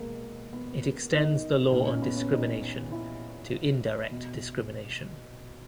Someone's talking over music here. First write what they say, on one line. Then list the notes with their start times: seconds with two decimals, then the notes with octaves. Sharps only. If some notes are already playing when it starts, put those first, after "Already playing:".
It extends the law on discrimination to indirect discrimination.
Already playing: B2 G#3 A#3
0.53 B3
1.13 D#4
1.72 A#2 D#4
1.88 C#4
2.02 B3
2.17 C#4
2.32 D#4
2.92 E4
4.11 B2